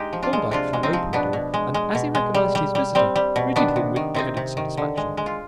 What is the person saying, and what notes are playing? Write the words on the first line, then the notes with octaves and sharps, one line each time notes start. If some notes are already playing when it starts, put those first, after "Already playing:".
Thorndyke flung open the door, and, as he recognized his visitor, greeted him with evident satisfaction.
Already playing: G#3 D#4 G4
F3
D4 F4
G#3
C3 D4 F4
G#3
C4 D#4
F3
B2 B3 D4
B2
G#3
G#3
B2
G#3
G3
G3
G3
G3 C4
G3
B2
D#3 B3 D4
C3
D#3
C3 C4 D#4
C3
D#3
D3
G#3
G#3
F4